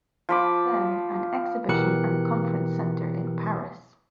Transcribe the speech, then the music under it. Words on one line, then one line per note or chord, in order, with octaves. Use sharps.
Then an exhibition and conference centre in Paris.
F3 B5 D6
B2 E3 G4 A#4 F#6 C#7